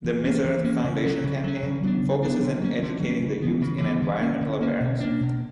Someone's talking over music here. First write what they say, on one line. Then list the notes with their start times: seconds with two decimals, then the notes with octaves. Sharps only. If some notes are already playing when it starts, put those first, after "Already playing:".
The Miss Earth Foundation campaign focuses in educating the youth in environmental awareness.
0.04 E3
0.24 A#3 C#4
0.44 E3
0.64 A#3 C#4
0.84 C#3
1.04 F#3 C#4
1.24 C#3
1.44 F#3 C#4
1.63 C#3
1.83 F#3 B3 D4
2.03 C#3
2.23 F#3 B3 D4
2.42 D3
2.62 F#3 A#3 C#4
2.82 D3
3.02 F#3 A#3 C#4
3.22 C#3
3.42 E3 B3
3.61 C#3
3.81 E3 B3
4.02 D3
4.21 A#3 C#4
4.41 D3
4.61 A#3 C#4
4.80 B2
5.00 A#3 D4
5.21 B2